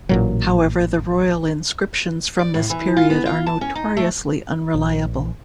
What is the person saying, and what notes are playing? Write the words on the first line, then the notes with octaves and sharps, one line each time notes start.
However, the royal inscriptions from this period are notoriously unreliable.
A1 A#2 F#3
D5
A2
E3
F4
B3
F4
A5
C#4
D#4
A3
A#1